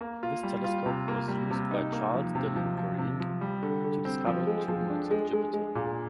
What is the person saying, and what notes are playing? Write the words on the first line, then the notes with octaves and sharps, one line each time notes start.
This telescope was used by Charles Dillon Perrine to discover two moons of Jupiter.
A#3
F4
G3
F4
C3
A#3
G3
C3
D#4
A#3
F3
C3
F3
F3
C3
F3
G3
D3
D3
C4
F3
G#3
F3
D4
G#3
G#3
G#3
A#2